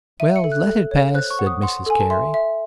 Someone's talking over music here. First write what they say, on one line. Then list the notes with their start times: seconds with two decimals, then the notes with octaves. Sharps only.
"Well, let it pass," said Mrs Carey.
0.20 E5 D#7
0.36 C#7
0.44 A4
0.52 F#6
0.67 A4
0.91 C#5
1.15 C5 F#6
1.30 C#6
1.39 F#5
1.47 D#6
1.62 F#5 C6
1.86 A4 G#5
2.00 A5
2.10 E5 C6
2.34 E5